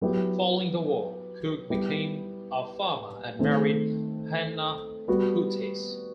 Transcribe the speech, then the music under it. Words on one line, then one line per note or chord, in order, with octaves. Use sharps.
Following the war, Cook became a farmer and married Hannah Curtis.
F#3 B3 E4 G4
G3 B3 E4 G4
D#3 A3 C4
G3 B3 F#4